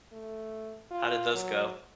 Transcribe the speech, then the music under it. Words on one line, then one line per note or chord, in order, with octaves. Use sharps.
How did those go?
A3
F4
F#3